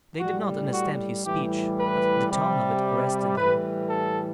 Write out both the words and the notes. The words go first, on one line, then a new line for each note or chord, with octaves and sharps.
They did not understand his speech, but the tone of it arrested them.
A2 G3 F#4
F#4
A2 E3 G3 G4
B4
C3 G3
A2 E3 G3 B4
A4